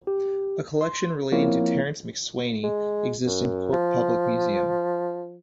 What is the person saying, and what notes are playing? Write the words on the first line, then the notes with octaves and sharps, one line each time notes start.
A collection relating to Terence MacSwiney exists in Cork Public Museum.
G4
C6
F3 A#3 C4 E4 C#5
G#3
F#2
F3